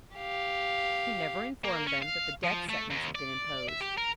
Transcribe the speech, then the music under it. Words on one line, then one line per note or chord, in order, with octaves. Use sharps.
He never informed them that the death sentence had been imposed.
G4 F5
A#3
C#4
F5
F3
A3
D#2
D5
E5
G4
A#4